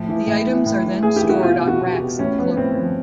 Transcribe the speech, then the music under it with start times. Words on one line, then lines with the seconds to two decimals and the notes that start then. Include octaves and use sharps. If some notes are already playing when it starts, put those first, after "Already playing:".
The items are then stored on racks in the cloak room.
Already playing: A2 F3
0.09 E3
0.27 A2
0.47 E3
0.66 A2
0.85 E3
1.03 A2 G#4
1.16 G4
1.23 E3
1.29 F#4
1.42 B2 F4
1.61 B2
1.68 F#4
1.81 B2
1.94 G4
2.00 B2
2.19 A2 C#4
2.39 F3 B3
2.57 A2 C4
2.77 F3